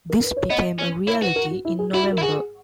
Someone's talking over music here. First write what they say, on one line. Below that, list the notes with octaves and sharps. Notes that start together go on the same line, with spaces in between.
This became a reality in November.
A#4
B4
C#5
B3 D#5
C#4
E4 C#5
F#4 B4
A#4
F#4
E4
G#4
E4 F#4
F#4
A#4
E4
F#4 G#4